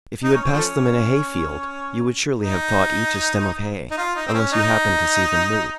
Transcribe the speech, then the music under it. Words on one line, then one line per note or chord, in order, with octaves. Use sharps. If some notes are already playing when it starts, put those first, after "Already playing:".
If you had passed them in a hay-field, you would surely have thought each a stem of hay, unless you happened to see them move.
D#4
C#4
C4
F3 A3 C#4
D#4
D#4
F4
D#4
C4
C#4
D#4